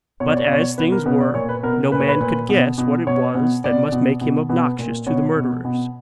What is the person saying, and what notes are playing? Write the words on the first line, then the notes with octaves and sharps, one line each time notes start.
But, as things were, no man could guess what it was that must make him obnoxious to the murderers.
B2 C#5
D5
C#5
D5
B2 C#5
B2 B4
A#4
B2 B4
D5
A#2 C#5
B4
B2 A#4
A#2 B4
C#5
B4
A#2
B2
B2
B2 C#5
B2
B2 D5
B2
B2
B2 B4
A#2
B2 C#5
B2
B2